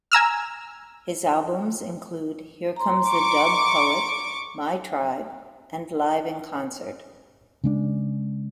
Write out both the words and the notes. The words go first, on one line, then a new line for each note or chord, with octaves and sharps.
His albums include "Here Comes The Dub Poet", "My Tribe" and "Live in Concert".
G#5 A#5 E6 F6
A#5 C6
C#6 D6
C#3 G#3 D4